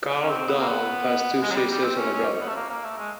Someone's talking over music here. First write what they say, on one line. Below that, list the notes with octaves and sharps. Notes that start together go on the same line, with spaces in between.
Karl Dall has two sisters and a brother.
C#4
C4
B3
A#3
B3
G#3
F#3
G3
G3
C4
C#4
C#4
B3
A3
A#3
A#3
A3
G#3